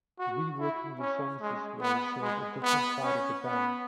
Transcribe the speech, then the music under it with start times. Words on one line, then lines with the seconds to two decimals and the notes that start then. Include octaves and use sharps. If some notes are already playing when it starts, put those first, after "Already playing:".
Reworking the songs this way shows a different side of the band.
0.19 F#4
0.59 E4
1.00 C#4
1.41 G#3
1.81 B3
2.21 G#3
2.62 B3
3.03 C#4
3.42 B3